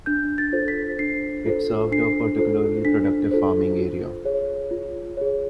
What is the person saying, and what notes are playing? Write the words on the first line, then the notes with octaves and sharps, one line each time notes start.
It served a particularly productive farming area.
D4 G6
A6
F4 A4 C5
B6
D4 C7
F4 A4 C5
D4 C7
F4 A4 C5
D4 B6
F4 A4 C5
F4
G#4 C#5
F4
G#4 C#5